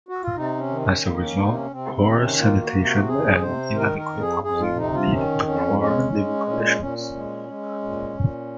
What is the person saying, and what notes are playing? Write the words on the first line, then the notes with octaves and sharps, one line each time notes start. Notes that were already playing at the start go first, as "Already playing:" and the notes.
As a result, poor sanitation and inadequate housing lead to poor living conditions.
F#4
F4
C3 D#4
C#4
D#3
C#4
A#3
C#4
C3 D#4
C#4
C3 C4
C4
D#3
C#4
A#3 F4
F#4
C3
F#4
F2 G#4
C3 C5
D#3 A#4
A#4
F2
G#4
F2 G#4
F4
C3 D#4
F4
D#3 C#4
F2 C#4
G#3 C#4
G#3
A#2 C#4
C#4
A#2 C#4
C#4
G#3
G#3
A#2
A#2